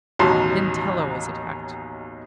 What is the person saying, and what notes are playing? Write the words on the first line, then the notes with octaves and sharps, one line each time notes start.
Then Tela was attacked.
A1 D#2 B2 F#3 A5 C6